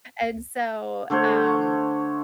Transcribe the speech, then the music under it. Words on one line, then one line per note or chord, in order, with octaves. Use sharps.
And so, um,
D3 A3 C5 C#5